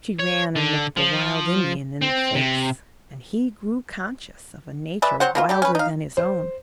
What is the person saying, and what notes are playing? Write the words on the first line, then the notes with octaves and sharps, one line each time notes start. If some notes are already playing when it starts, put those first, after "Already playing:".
She ran and looked the wild Indian in the face, and he grew conscious of a nature wilder than his own.
C#5
D3
F3
C4
C3
G#3 B4 D5 E5
F#3 C4 C5 F#5
B2 A#3 F4
G3 A3 G4
C#4 B4
D#4 F5
C5